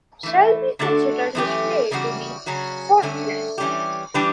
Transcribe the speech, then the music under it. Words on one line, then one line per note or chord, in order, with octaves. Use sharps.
Selby considered his play to be "faultless".
E3 A3 E4
D3 A3 D4 F#4 A4
F#2 E3 A3 C#4 G4
E2 C#3 G3 D4 F#4
C#3 F#3 C#4 F#4
G2 D3 A3 C#4
E3 G3 C#4 G4
E3 G3 D4 G4 B4